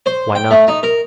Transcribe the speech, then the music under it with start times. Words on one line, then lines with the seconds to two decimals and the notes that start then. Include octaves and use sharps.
Why not?
0.06 C5
0.35 G5
0.51 A3
0.68 D#4
0.83 A#4